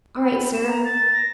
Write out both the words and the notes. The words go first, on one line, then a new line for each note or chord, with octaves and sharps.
'All right, Sir.
B5
E7
A#5
A6
A#6